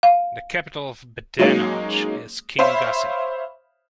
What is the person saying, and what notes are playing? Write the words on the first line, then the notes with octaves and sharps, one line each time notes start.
The capital of Badenoch is Kingussie.
F5
F#3 G#3 A#3 C#4 D#4
C5 C#5 E5 F5 B5